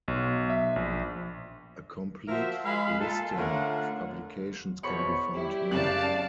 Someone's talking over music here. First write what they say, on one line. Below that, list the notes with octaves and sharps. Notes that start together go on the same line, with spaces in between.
A complete listing of publications can be found here.
B1
E5
A#1
F3 F#4 A#4 C5 E5
G#3 F5 B5
A#2 A#3 F4 A4 A5
D3 A3 C#4 F4 A#4 F#5
E2 B2 C5 C#5 B5 C#6
G3 E4 G4
F#2 C#3 D5 F5 A5 F#6